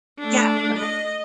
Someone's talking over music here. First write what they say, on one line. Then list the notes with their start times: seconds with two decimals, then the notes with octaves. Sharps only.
yeah, go ahead.
0.19 A3 D4
0.78 D#5